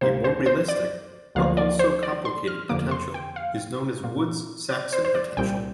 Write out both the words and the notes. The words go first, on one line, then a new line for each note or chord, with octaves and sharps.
A more realistic but also complicated potential is known as Woods-Saxon potential.
D2 C3 A#3 C5
C5
C5
D5
D2 D3 F3 A#3 F4 F5
D5
C5
D5
C6
F6
F2 D3 A#3 D6
C6
G5
F5
A#2 A#3 F4
D5
C5
C5
D5
C2 A#2 G3 C4 G5